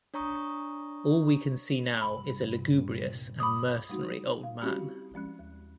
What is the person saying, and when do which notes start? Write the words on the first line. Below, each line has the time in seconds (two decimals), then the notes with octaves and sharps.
All we can see now is a lugubrious and mercenary old man.
0.14 D4 C#5 A#5 C#6 D#6
2.02 C2 G2 A#2 B5
3.40 B5 D6 D#6
3.89 G3 A3 D#4 F#4
4.43 F5
4.61 G3 C4 C#4 E4 F#4 G4
5.14 F3 G#3 C#4 F#6
5.39 D#2